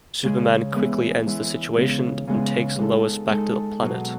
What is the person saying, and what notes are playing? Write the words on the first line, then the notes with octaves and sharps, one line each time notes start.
Superman quickly ends the situation, and takes Lois back to the Planet.
C#3 G#3 C#4 G#4
E3 G#3 B3 E4
E3 G#3 B3 E4
C#3 G#3 B3
C#3 G#3 B3
G#3 D#4 A4
G#3 D#4 A4
B2 F#3 B3